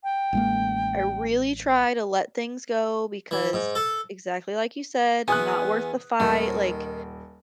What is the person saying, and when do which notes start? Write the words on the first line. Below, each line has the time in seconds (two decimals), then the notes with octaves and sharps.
I really try to let things go because exactly like you said, not worth the fight, like
0.04 G5
0.33 A1 G#3 A#3
3.31 E3
3.53 G#2
3.75 A4
5.28 E2 B3 G#5 D#6 F#6
6.20 D#1 D#3